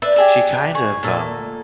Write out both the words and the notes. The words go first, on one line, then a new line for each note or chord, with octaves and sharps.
she kind of, um,
D4 B4 E5
G4 G#4 E5
G#4 C#6
A#2 A4